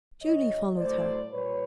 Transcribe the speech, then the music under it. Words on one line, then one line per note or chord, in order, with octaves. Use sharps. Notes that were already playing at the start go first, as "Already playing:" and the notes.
Julie followed her.
F2 D3 G3 C#5 D#5
A2 F#3 A3 C5 D5
A#2 G3 B4 C#5